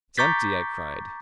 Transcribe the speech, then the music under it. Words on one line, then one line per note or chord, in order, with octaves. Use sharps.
"It's empty," I cried.
A#5 C#6 D6 G6 A6 B6